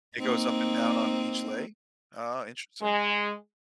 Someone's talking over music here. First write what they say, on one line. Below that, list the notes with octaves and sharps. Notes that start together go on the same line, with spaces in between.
It goes up and down on each leg? Ah, interesting.
A#3 C4 D#4
G#3